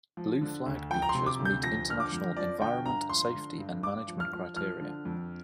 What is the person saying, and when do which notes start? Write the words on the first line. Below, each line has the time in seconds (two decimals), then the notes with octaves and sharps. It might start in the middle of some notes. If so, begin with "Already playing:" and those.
Blue flag beaches meet international Environment, Safety and Management criteria.
0.17 F3
0.41 D3
0.66 D2
0.90 F3 G5
1.02 A#5
1.09 C6
1.15 C3
1.26 D6
1.39 D2
1.45 G6
1.64 F3 A#6
1.88 D3 F6
2.00 D6
2.12 F2
2.37 F3 D5
2.61 D3 G5
2.85 G2 A#5
3.09 F3 C6
3.35 D3
3.58 G2
3.83 G2 D6
4.08 F3
4.20 F6
4.32 F3
4.56 F3 F6
4.81 D3
5.05 F2